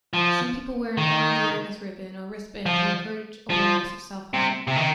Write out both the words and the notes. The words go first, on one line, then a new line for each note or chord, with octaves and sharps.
Some people wear an orange awareness ribbon or wristband to encourage awareness of self-harm.
F3
D#3
F3
F3
C3
C3
D#3